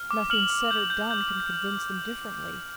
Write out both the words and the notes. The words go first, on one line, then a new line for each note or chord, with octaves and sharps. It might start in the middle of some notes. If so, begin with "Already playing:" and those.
Nothing said or done can convince them differently.
Already playing: F6
D6
F6 F#7
F6
G6
G6
G6